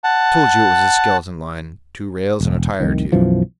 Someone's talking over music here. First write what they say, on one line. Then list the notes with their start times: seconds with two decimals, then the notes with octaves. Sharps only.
I told you it was a skeleton line, two rails and a tie or two.
0.04 F#5 A5
2.41 E1
2.80 F1 C2 D#3
3.12 B1 F#2 E3 F3